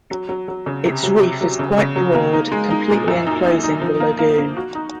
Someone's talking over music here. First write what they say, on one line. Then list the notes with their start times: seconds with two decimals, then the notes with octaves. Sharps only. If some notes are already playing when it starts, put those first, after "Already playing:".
Its reef is quite broad, completely enclosing the lagoon.
0.11 F#3
0.29 F#3
0.48 F#3
0.66 C#3
0.85 C3
1.03 F#3
1.22 C3
1.41 F#3
1.59 C#3
1.78 C#3
1.96 F#3
2.15 A#3
2.33 D#4
2.52 G#3
2.70 D#4
2.90 A#2
3.08 F#2
3.26 D#4
3.45 D#4
3.63 D#4
3.82 F3
4.00 A#3
4.19 A#3
4.38 A#3
4.57 F#4
4.75 D#4